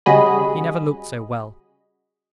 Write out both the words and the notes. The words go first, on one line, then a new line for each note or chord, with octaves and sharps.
He never looked so well.
C#3 G3 F#4 G#4 D#5 B5